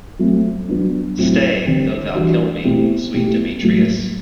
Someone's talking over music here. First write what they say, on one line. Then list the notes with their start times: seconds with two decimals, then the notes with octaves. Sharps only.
Stay, though thou kill me, sweet Demetrius.
0.19 F#3 A3 C4
0.68 F#3 B3 D4
1.17 A2 F#3 A3 C4 E4
1.66 D3 G3 C4
2.15 E3 G3 D4 F#4
2.64 B2 A3 C4 E4 G4
3.14 B2 A3 E4 G4
3.63 A2 F#3 A3